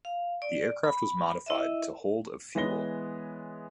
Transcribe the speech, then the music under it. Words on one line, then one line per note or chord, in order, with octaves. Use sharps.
The aircraft was modified to hold of fuel.
F5
D5
B5
E4 D#5 E5
E3 G#3 B3 C#5 A#6 G7